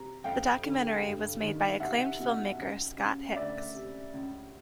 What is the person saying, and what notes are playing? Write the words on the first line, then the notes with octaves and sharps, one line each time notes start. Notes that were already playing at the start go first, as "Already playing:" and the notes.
The documentary was made by acclaimed film-maker Scott Hicks.
Already playing: C3 A#5
F2 F5 G5
D3
G2
D#3
C2 E5 F#5
B2
C#2
C#3
D2 D5 E5
C3
C#2